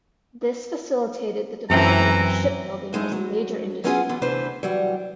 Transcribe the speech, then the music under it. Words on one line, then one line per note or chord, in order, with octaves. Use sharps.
This facilitated the development of shipbuilding as a major industry.
F#2 E3 C4 G5 A#5
F2 G#2 G#3 A3 D#4 E4
F#3
F#3 B3 C#4 F4 F#4 G#4
E3 B3 F4
D2 C3 E3 D4 B4 C5
E3 F#3 G3